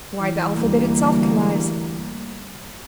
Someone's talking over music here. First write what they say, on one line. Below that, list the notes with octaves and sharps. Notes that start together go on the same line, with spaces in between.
Why, the alphabet itself connives.
E3
D2 G3 A#3